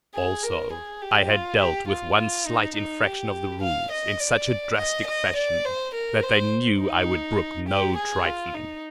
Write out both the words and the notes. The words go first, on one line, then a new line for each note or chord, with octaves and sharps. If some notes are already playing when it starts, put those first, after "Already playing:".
Also, I had dealt with one slight infraction of the rules in such a drastic fashion that they knew I would brook no trifling.
G#4
A#4
G#4
G4
F4
G4
F4
F4
D#4
D#4
G4
F5
D#5
D5
D#5
D#5
D5
C5
A#4
C5
D#4
G4
G#4
F4
D#4